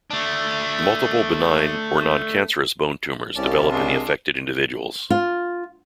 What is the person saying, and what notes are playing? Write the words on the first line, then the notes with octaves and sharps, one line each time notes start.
Multiple benign or noncancerous bone tumors develop in the affected individuals.
A3 D4
C2 C#4 G4 D5 A5
C3 G#3 A#3 D4 F4
F4